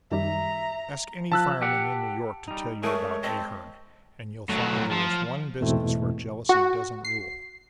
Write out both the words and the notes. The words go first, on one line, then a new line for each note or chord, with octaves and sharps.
Ask any fireman in New York to tell you about Ahearn, and you'll find there is one business where jealousy doesn't rule.
F#2 D#3 G3 E5 A#5
F3 A5 E6 F#6
G4 F#5
G3 D#4
G#3 A3 G#4 A#4 C#5
C4 D#5 A5
A2 F#3
F3
E2 G#2 B2 A3 C4 E4
F#4
C7